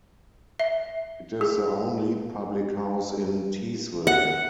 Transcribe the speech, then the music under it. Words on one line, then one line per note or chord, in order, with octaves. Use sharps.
It is the only public house in Teesville.
E5
G#4
F#5